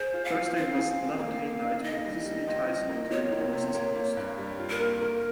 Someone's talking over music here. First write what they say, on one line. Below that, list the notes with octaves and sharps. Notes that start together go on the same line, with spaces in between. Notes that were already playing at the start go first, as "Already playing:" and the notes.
Thursday was "Love and Hate Night" with Cicely Tyson doing honors as host.
Already playing: G#4 C5
F4
F5
F3
C4 F5
G#4
C4
A#3
A#3
D#4
D#4 D#5
G3
G3
C#2
F3
A#3
F3 C#5
A#3
C3
A#3
A#3
G2
G3
F4
A#4
A#3
A#3